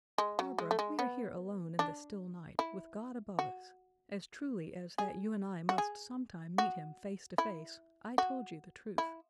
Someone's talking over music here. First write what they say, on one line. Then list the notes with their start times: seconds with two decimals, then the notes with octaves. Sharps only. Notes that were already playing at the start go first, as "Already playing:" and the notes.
Barbara, we are here alone in the still night, with God above us; as truly as that you and I must sometime meet Him face to face, I told you the truth.
0.18 G#3
0.39 F#3
0.58 G#3
0.71 A3
0.79 G#3
0.99 B3
1.79 D4
2.59 E4
3.39 F#4
4.98 G#4
5.69 F#4
5.78 G#4
6.58 F#4
7.38 E4
8.18 F#4
8.98 E4